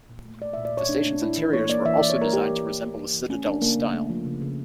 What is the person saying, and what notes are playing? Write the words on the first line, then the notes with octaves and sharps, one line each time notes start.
The station's interiors were also designed to resemble the citadel's style.
A#2
A3
A3 D5
E5
A#2
D5
A#2 C#5
A3 D4
A3 D4
A#2 E4
E3
A#3 C#5
A#3 D5
E3 E5
D5
E3
C#5
A#3 A#4
A#3 G4
E3
E3
A#3
A#3
E3
A3 C#4
F3 D4
C#3 A#3
C#3
A3
F3
C#3
C#3